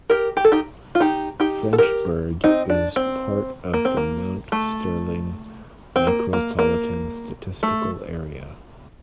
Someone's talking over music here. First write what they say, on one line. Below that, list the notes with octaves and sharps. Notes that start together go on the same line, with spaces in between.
Frenchburg is part of the Mount Sterling Micropolitan Statistical Area.
G4 A#4
G4
A4
D#4 G4
F4
D#4 G4
D#4 G4
A4
G4 A#4
C4 D#4
D4
C4
A#3
C4
A#3
A3
C4
A#3
A#3
A#3
A3